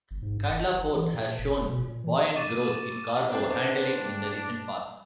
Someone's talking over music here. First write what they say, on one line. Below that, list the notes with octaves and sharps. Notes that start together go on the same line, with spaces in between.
Kandla Port has shown buoyant growth in cargo handling in the recent past.
G1
G#2
G2
F#1
F#1
E3
A#2
F#1
F1
B2
A#2
E3
C#6 D6 A6 D#7
B3 C4 D4 C5
G2